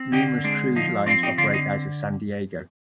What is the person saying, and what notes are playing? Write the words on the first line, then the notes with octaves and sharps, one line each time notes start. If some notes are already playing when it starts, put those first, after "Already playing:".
Numerous cruise lines operate out of San Diego.
Already playing: C4
D3 D#4 G4
G#3 D4
F3 D#4
C4 D4 F4
D#4 G4
D3 D4 F4
D#4